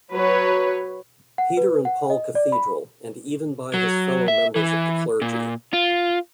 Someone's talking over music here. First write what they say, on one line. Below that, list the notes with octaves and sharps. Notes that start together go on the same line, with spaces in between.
Peter and Paul Cathedral, and even by his fellow members of the clergy.
F#3 B4 C#5
F#5
B4
F#5
D#5
D5
B5
F#3
E5
E3
A#2
F4